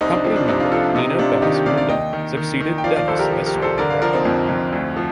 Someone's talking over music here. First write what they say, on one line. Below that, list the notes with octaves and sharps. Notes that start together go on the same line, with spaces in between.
Company member Nina Bass Munda succeeded Dennis as school director.
C2 C4 D#4
D4
F3 C4
D4
C3 C4 D#4
D4 F4
F3 F4 A4
D4
C3 C4 D#4
G4
C3 D4 F4
D#3 D#4 G4
D#4 G4
C3 D5 F5
D5 F5
D#2 D#5 G5
D#3
D#3
D#3
G5
F3 D5 F5
D5 F5
C2 A4 C5
G4 A#4
F3
G4 A#4
C2
A4 C5
D3 A#4 D5
D5 F5
F3 A#4 D5
C4 D#4
F2
F2
D2
F3